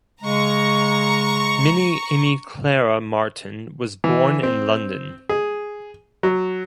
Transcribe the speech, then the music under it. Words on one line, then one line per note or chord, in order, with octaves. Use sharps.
Minnie Amy Clara Martin was born in London.
C#3 G#3 A#5 C#6
E3
C4
G#4
F#3